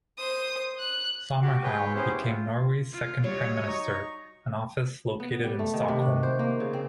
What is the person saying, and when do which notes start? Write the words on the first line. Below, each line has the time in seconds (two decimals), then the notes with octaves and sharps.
Sommerhielm became Norway's second prime minister, an office located in Stockholm.
0.17 C5 D#6
0.79 F#6
1.42 F#4 G4
1.63 G#4 B4 C#5 G5
1.95 B3 C#4 E4 G4 G#4 C5
2.22 F4
2.93 F4
3.24 F#3 G3 C#5 D#5
3.68 D#4 A#5 C#6
5.20 B3
5.44 G3
5.59 A3
5.74 D#3
5.88 C3
6.02 F#4
6.23 C5
6.39 A#3
6.60 C#3
6.73 C4